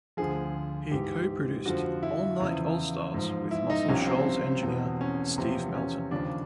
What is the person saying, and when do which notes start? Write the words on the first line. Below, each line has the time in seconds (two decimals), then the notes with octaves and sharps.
He co-produced "Allnight Allstars" with Muscle Shoals engineer Steve Melton.
0.17 D2 D3 F3 G#4
0.91 G#2 E3 G4
1.66 F2 D3 F3 F#4
2.03 E4
2.40 E2 C#3 F3
3.14 G#2 F3
3.51 E4
3.70 D#4
3.88 C2 C3 F3 C#4
4.07 C4
4.63 E2 B2
5.01 C#4
5.38 E2 C3 F3
5.74 C#4
6.11 D#2 C#3 F3 D4